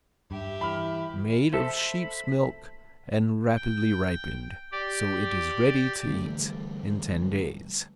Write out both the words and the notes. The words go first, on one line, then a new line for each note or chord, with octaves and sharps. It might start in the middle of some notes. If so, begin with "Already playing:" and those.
Made of sheep's milk and rapidly ripened, so it is ready to eat in ten days.
G2 G4 E5
E3 B5 F6
A4 C5 E5 A5 B5
G5
G4 D5
D3 E3 G3 A3